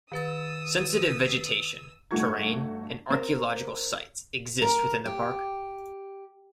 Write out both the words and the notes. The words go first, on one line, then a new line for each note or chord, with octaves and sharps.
Sensitive vegetation, terrain, and archaeological sites exist within the park.
D#3 B4 D#6 E6 A6
G1 A3 F#4 C#6 G#6
C4 A#4
A#4
G4